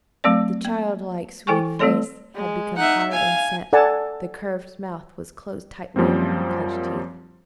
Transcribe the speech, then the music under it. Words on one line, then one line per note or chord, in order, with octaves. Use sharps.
The childlike sweet face had become hard and set, the curved mouth was closed tightly over her clenched teeth.
F#3 A3 C4 D5
A#3
E3 E4 A4 G5 G#5 C#6
G3 A3 C4 A4 C#5 C6
G#3
D#4 E5 F#5
F5 G#5
A4 D5 F#5 G#5 A5
F#2 F3 G3 A#3 C4